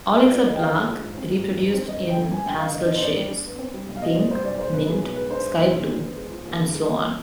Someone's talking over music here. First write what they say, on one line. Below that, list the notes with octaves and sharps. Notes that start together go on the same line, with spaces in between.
All except black reproduced in pastel shades: pink, mint, sky blue, and so on.
G#3 B4
F3 D5
D#2 D#5
G5
D3 F5
G#3
F3
G#2
C4
G#2
G3
G#2
C4
G1 D#5
D3
G5
G1
G2 G#5
G1 G5
D3 F5
D4 D#5
B3 D#5
C5
G#2 D5
G3
D4
B3
C4
G3
B1
F5
B2 D#5
C4 D5
G3 C5
B1 D5
G#3 C5
B1 B4
B2 G#4
B1 B4
G#3 B4
D4 C5
B3
B1
B2
D4
B3
G#3
F3
D#2
D3
G#3
F3